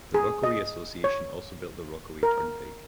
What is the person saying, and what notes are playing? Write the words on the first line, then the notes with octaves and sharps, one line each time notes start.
The Rockaway Association also built the Rockaway Turnpike.
G#4
D#5
C#5
A#4